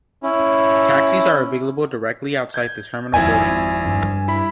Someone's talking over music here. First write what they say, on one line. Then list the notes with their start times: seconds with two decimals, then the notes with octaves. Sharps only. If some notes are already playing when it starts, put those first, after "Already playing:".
Taxis are available directly outside the terminal building.
0.23 C#4 E4
2.54 G6 G#6
3.14 G#1 F2 F3 E4 G#5 G#6
3.85 G2
4.28 E4 B5